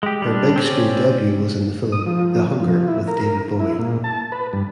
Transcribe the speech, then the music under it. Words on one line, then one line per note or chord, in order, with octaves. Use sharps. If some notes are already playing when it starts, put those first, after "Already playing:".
Her big screen debut was in the film "The Hunger" with David Bowie.
G#3 G4
G3 D4
C4 C#4 D5
D#6
F3
F3
E4
A#4
E4
A#2
A5
B4
G2